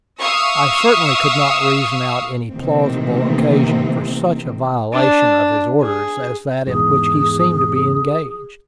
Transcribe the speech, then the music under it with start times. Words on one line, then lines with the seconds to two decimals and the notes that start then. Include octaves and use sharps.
I certainly could not reason out any plausible occasion for such a violation of his orders as that in which he seemed to be engaged.
0.19 E5 F5 C#6 D#6 E6
2.49 C3 D#3 E3 A3 A#3 C4
4.93 D4
5.81 G#4
6.67 E2 G#2 G#4